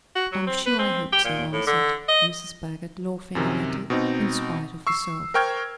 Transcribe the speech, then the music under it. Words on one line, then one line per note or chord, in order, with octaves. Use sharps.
"I'm sure I hope so," answered Mrs. Baggert, laughing a little in spite of herself.
F#4
F#3
C4
B4
C4
G4
A#2
A2
D3
D#5
F#2 C3 D#3
B2 C4 D#4
C#6 E6 C7
A#4 C5 G5 C#6 F6 G#6